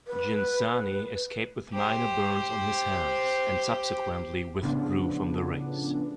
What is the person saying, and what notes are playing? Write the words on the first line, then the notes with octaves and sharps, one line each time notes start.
Ghinzani escaped with minor burns on his hands, and subsequently withdrew from the race.
B4
G4 C5
A2 C#3 F3 B3 D4